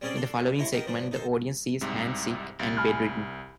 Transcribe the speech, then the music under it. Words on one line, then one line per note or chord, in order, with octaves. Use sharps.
In the following segment, the audience sees Hans sick and bedridden.
G3 C4 C#4 G#4 C5 D5
D4 A4 C6
D#2 E4 A#5 C6 C#6
B3 G4 A#4 D#5
G2 F3 D4
D#4 A4 C5
C2 G#2 C3
C2 A6
G#5 B5 F6